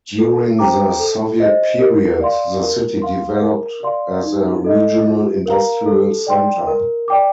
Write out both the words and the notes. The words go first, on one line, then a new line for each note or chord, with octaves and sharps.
During the Soviet period, the city developed as a regional industrial center.
A4
C5 G5 A#5 D6
A4
C5 D#5
A#4
D5 F5 C6
A#4
F5 C6
A#4
D5 F5 C6
D#4
A4 D#5
F4
A#4 F5 A#5
A4
D5 G5 C6
A#4
D5 G5 D6